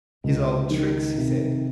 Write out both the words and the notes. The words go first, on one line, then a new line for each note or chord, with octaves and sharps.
"His old tricks," he said.
C#2
D#3
C3